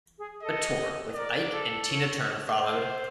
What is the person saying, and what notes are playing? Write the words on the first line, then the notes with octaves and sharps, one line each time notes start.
A tour with Ike and Tina Turner followed.
G#4
A4 D#5
A#4 D5
G#4
A4
C#5
C5